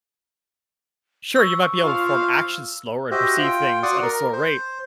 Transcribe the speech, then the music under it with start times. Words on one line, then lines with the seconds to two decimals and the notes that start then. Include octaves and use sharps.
Sure, you might be able to perform actions slower and perceive things at a slower rate,
1.36 C#6 E6
1.84 F3 F4 F5
3.11 F#4 G4 C5 D#5 E5
3.39 F4 G5
3.83 F#4 D5 C6 C#6 D#6
4.03 A#4
4.33 C5